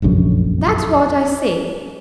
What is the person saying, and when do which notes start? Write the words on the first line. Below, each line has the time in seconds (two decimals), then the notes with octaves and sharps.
That's what I say.
0.02 F1 A#1 F#2 D3